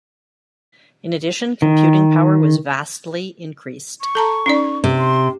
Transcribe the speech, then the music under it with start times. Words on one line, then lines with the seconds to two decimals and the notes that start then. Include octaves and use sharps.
In addition, computing power was vastly increased.
1.62 D#3
4.01 C#6
4.15 A4 A5 A#5
4.46 C#4 D#4 D5
4.84 C3
4.98 C6